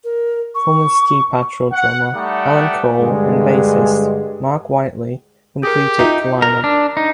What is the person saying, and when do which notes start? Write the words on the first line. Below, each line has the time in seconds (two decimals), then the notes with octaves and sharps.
Former Ski Patrol drummer Alan Cole and bassist Mark Whiteley completed the lineup.
0.04 A#4
0.55 C#6
1.72 F#5
2.14 G3 A3 D#4 G4 D5 F#5
3.01 G2 D3 G#3
5.63 G4 G#4 A#4
5.99 D#4 F4 F#4 E5
6.42 A#4
6.64 D4
6.97 D#4